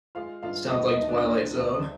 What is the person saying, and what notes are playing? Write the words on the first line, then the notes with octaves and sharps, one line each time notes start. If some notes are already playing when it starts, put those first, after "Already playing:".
Sounds like Twilight Zone.
G#3 F4 F5
G2 F4 F5
G3 D#4 D#5
D#4 D#5
D2
D4 D5
G#3
D2